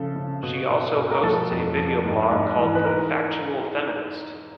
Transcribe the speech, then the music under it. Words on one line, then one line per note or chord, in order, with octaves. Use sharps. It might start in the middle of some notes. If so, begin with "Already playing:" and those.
She also hosts a video blog called "The Factual Feminist".
Already playing: C#3 F3 A4
C#3
B2
B2
B2
A#4
F3 A4
F2
F3
G#2
G#2
E3
B4
A#4